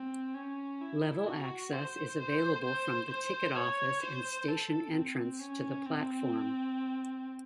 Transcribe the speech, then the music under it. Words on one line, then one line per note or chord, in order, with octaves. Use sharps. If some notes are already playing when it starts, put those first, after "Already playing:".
Level access is available from the ticket office and station entrance to the platform.
Already playing: C4
C#4
E4
F#4
C5
C5
C5
C5
C#5
C5
A4
C4
C#4
C4